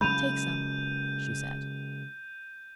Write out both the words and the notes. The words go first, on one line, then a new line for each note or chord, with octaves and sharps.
"Take some," she said.
C#3 F#3 G#3 B5 G6 D#7 F7